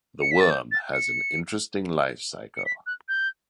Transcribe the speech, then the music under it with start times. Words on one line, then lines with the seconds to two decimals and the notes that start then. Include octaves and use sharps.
The worm has an interesting lifecycle.
0.21 C#7
0.31 B6
0.40 A6
0.50 G6
0.71 A6
0.93 C#7
2.57 C#7
2.65 B6
2.86 F#6
3.09 G6